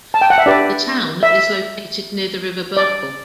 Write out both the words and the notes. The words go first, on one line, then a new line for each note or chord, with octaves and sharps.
The town is located near the river Berkel.
A5
G5
F#5
E5
D4 G4 B4 D5
E5
D5